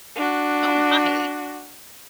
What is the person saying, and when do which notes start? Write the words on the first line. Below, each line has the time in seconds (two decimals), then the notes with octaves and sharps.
Oh my!
0.16 D4 F#4